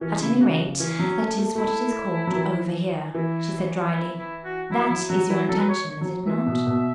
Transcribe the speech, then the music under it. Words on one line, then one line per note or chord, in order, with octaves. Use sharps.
"At any rate, that is what it is called over here," she said drily. "That is your intention, is it not?"
E3 C#4
C#3 E4
C#3 F#4
C#3
E3 C#4
F#3
A3
A3
A3 E4
F#3
E3
E3 E4
E4
E4
F#4
F#3 E4
F#3 E4
F#3 F#4
E3 E4
F#3 A4
B4
C#5
C#5
F#3
E3 E5
B2
B2